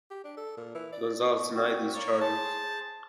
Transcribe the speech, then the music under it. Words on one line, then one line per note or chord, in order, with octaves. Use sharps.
Gonzales denied these charges.
G4
D4
A4
A#2
E3
D5
C4 F#4
A#3 C#5 D5
G#4 C5 A5